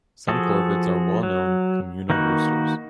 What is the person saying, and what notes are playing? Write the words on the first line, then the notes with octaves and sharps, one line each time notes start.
Some corvids are well-known communal roosters.
F3 F#4 G#4 A4
F#3
D#3 A#3 D#4 F#4 B4